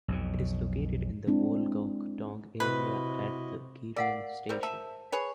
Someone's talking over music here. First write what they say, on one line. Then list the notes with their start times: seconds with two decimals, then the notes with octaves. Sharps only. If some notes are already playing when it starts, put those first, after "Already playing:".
It is located in the Wolgok-dong area at Gireum Station.
0.08 B1 F2 B2
1.27 G#3 C4 D4 E4
2.60 C3 E4 F#4 B4 D#5
3.96 A#4 D5 F5 F#5
4.49 G3 C4 A#4 C5
4.63 E5 A5
5.12 G#4 B4 C#5